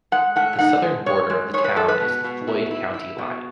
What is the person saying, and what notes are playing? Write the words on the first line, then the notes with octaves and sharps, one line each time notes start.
The southern border of the town is the Floyd County line.
G#3 F#5
A2 F#5
D#4 F#5
G#3
G#3 C#5
G#3
G#3 C#5
B4
G#3 A4
B4
B2
B2
E4
E4
E4
B2